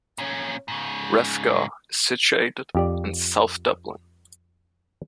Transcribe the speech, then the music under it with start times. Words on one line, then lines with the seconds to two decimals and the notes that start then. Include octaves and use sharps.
Rathgar is situated in south Dublin.
0.18 A#2 C#4
0.68 G#2 C#3
2.75 F2 G4 D5